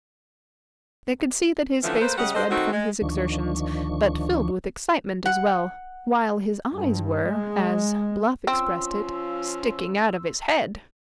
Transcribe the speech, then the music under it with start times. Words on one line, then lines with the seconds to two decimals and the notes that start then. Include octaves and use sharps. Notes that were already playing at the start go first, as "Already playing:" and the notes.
They could see that his face was red from his exertions, but filled with excitement as well; while his eyes were, as Bluff expressed it, "sticking out of his head!"
1.84 A2 D3 E3 F3 A3 C#4
2.01 A3 A#3 B4 C5
2.18 C#3 G3 D#5 F#5
2.35 D4 A4 C5 D#5
2.51 D#3 A3 C4 D#4 F#4
2.71 G#3
3.02 D2 D#3 F3 D4 C#6
5.26 F#5
6.74 G2
7.26 G#3
8.47 F3 C4 C#4 F4 C6 E6